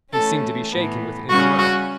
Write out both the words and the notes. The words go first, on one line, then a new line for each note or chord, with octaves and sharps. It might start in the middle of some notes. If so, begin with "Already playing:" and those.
He seemed to be shaken with inner mirth.
E3 A3 C#4 A4
A2 E3 B3
C#3 G3 C#4 F#4
F#4